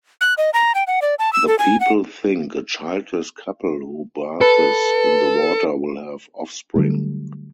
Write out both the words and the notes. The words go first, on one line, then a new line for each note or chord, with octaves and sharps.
The people think a childless couple who bathes in the water will have offspring.
F#6
D#5
A#5
G5
F#5
D5
A5
E6
A4
G#5
F#5
A4 B4
D3 F#3 G3 A3